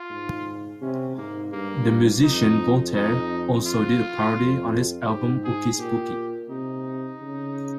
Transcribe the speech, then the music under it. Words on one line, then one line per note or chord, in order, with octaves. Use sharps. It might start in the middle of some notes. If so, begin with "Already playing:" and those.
The musician Voltaire also did a parody on his album "Ooky Spooky".
Already playing: F4
G#2
C3 C#4
G#2 A#3
G2 A#3
F2 D#4
D#4
F4
F2
G#2 G4
G#4
A#2 G4
C3 D#4
C#3